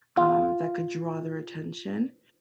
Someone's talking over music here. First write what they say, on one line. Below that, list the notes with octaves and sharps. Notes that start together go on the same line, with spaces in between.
um, that could draw their attention.
F4